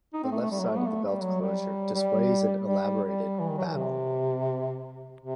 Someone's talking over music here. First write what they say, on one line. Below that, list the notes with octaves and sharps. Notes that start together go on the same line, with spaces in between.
The left side of the belt closure displays an elaborated battle.
D#4
C4
A3
A3
G3
F#3
A3
B3
A3
G3
F#3
G3
G3
G3
G3
E3
D#3
F#3
E3
C3
C3